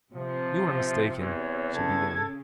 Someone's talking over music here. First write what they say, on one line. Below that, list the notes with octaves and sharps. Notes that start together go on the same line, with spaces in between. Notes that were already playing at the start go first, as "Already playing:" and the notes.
"You are mistaken," she began.
C3 F3
E2 C#5
C#3 A4 G#6